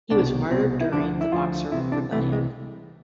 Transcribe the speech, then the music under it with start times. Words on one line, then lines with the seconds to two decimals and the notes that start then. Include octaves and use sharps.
He was martyred during the Boxer Rebellion.
0.11 C2 B2 D4
0.51 C2 B2 C4
0.81 E4
0.92 D2 D3 F3 D4
1.21 E4
1.32 D2 D3 F3 F4
1.72 C2 C3 E3 E4
1.92 D4
2.12 C2 C3 E3 A3
2.32 G#3